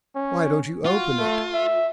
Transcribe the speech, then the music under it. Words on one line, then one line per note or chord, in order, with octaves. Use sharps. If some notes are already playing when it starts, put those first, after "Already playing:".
"Why don't you open it?"
C#4
F4 F#4
A3
E5